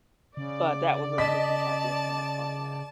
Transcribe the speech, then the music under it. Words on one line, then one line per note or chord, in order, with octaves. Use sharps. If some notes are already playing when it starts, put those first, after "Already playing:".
but that would really make me happy if when I find that.
C#3 D5
D#5 A5 B6